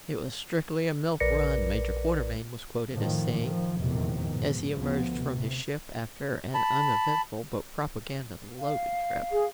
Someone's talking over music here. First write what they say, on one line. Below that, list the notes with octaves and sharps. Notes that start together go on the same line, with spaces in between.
"It was strictly a milk run," Major Quartermain was quoted as saying as he emerged from his ship after an uneventful but propaganda-loaded trip.
A#1 A#4 B4 D5 A#6 C#7
F2 A2 D#3 F3
D#3 F3
F1 A#1 E2 A2 C3 D#3
G#2 B2
D2 F3 B3
C3
A5 B5
F5
G#4